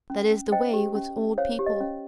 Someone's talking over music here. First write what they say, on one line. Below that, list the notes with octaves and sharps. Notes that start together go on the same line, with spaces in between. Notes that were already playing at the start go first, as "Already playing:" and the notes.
That is the way with old people!
C#4
C#4
C5 D#5 G5
G4
C#4
C#4
C5 C#5 F5
G4
D#5
C#4